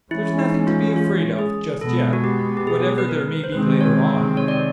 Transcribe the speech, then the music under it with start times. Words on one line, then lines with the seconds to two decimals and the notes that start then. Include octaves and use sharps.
There's nothing to be afraid of, just yet, whatever there may be later on.
0.11 E3 G#3 C#4 E4
0.39 D#4
0.67 F4
0.96 F4
1.39 G#4
1.81 B2 G#3 B3 A4
2.13 F#4
2.24 G4
2.57 G4
2.67 G#4
2.98 B4
3.09 A#4
3.44 C5
3.52 C3 D#3 G#3 C4 B4
3.81 C#5
4.37 C#5
4.48 D5